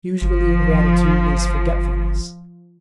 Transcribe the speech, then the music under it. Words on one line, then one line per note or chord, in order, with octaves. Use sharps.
Usually, ingratitude is forgetfulness.
G1 F3